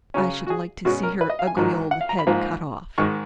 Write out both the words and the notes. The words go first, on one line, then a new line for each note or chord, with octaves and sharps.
I should like to see her ugly old head cut off.
C#3 F#3 C#4
F#4
G#4
B2 G#3 C#4 F#4
A#4
B4
D#5
F5
G#5
G#2 D#3 F#3
F#5
F5
A#5
B5
G#2 F3 A#3
G#2 D#3 G#3 C#6